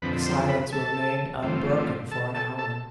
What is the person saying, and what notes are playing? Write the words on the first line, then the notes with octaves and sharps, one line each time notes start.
The silence remained unbroken for an hour.
F2 D3 F3 C4 B4 B5
C5 C6
B4 B5
A4 A5
G2 E3 A3 C4 F4
A4 A5
A4 A5
A4 A5